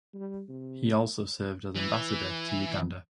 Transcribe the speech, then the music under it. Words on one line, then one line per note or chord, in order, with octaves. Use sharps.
He also served as Ambassador to Uganda.
G3
C3
E3